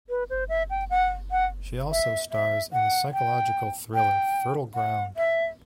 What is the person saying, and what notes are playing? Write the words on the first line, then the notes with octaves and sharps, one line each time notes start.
She also stars in the psychological thriller Fertile Ground.
B4
C5
E5
G5
F#5
F#5
E5
E5
F#5
G5
G5
F#5
E5